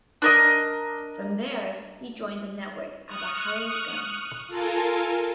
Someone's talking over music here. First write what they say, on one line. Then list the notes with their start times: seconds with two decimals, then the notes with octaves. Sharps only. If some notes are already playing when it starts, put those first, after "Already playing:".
From there, he joined The Network as a "hired gun".
0.22 D4 A#4 D#5
3.07 C#6 D#6 F6 F#6
4.47 F4 A4 A#4 G#5 A5